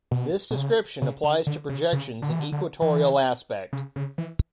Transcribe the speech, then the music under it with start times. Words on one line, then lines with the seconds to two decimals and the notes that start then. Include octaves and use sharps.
This description applies to projections in equatorial aspect.
0.11 B2
0.51 B2
0.56 C#3
1.02 C#3
1.23 D3
1.47 D3
1.69 C#3
1.93 C#3
2.22 D3
2.31 E3
2.39 D3
2.52 D3
2.82 E3
3.73 C#3
3.96 C#3
4.18 E3